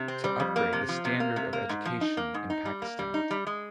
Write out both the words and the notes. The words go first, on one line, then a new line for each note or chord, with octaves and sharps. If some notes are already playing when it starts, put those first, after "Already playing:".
To upgrade the Standard of Education in Pakistan.
Already playing: C3
C4
G3
F2
A#3
C3
F3
C3
A#3
C3
A#3
G#2
F3
D#4
A#3
G#2
D#4
G3
A#3
G3
D#4
G3
G#3